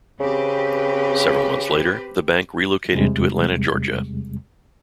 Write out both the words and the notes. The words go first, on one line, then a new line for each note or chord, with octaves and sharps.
Several months later, the bank relocated to Atlanta, Georgia.
C#3 C4 G4 B4
E2 C3 G3 G#3